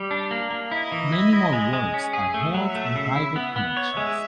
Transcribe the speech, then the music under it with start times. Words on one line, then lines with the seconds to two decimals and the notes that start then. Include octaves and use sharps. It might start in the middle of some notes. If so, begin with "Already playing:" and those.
Many more works are held in private collections.
Already playing: G3
0.11 D4
0.31 A#3
0.51 A#3
0.72 E4 D#5
0.92 E3
1.12 E4
1.33 E4
1.53 G#3
1.73 G#3
1.94 C#4
2.13 G#4
2.34 A3 E5
2.54 F#3
2.75 A3
2.96 C#3
3.16 E4
3.36 B3
3.56 B3
3.77 C#5
3.97 G#3 E5